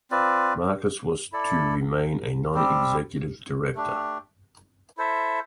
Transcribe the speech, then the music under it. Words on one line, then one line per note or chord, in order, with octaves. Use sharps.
Marcus was to remain a non-executive director.
C4 F4 B4 D5
E4 A4 D5
G3 C4 G4
A3 D4 G4
E4 A4 C5 E5